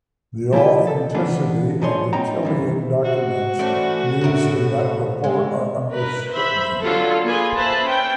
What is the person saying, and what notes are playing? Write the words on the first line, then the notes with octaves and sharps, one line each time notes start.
The authenticity of the Killian documents used in that report are under scrutiny.
F3 A#3 E4 G4 B4
A4
C#2 E3 A#3 B3 D4
G#2 F3 G#4 C#5 C6
A2 B3 C#4 D#4 G5 A#5
G2 D#3 E3
F#4 C5
E3 A3 C#4 C5 D5
E2 A2 A#4 E5
D#4 C5 C#5
D3 G#3 B3 C4
A#4 B4
C5 E5 B5
D3 F#3 F4 A4
A#3 F4 G#4 B4 G#5 C6
B4 C5 E5 A5 B5
C#4 G5